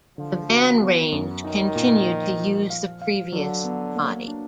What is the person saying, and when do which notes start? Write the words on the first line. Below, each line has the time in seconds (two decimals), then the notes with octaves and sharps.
The Van range continued to use the previous body.
0.18 D3 F3
0.49 F#4
0.81 B3
1.12 F#2
1.44 D#3 D#4
1.76 A#2
2.07 F3
2.39 F3
2.70 F5
3.02 F5
3.32 D3 F#3
3.64 B3
3.96 A#3
4.28 D4